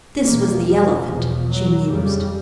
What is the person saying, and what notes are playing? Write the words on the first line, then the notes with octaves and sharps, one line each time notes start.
"This was the elephant," she mused.
E2 B2 A#3
F3
E2 B2
F#3
F2 C#3 G3